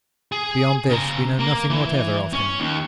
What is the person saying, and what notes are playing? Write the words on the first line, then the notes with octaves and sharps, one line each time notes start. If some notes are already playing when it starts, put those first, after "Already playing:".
Beyond this we know nothing whatever of him.
G#4
C#3 A#5
A#3 A#5
E3
C#4 C#5
D#2